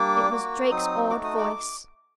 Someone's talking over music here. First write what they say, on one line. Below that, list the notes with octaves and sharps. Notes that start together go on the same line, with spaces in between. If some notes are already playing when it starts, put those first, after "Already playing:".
It was Drake's awed voice.
Already playing: G3 A#3 D4 D6
A#3 F#4
F#3 C4 D#4 D#6
A3 D#4 F#4 D6
D#6
D6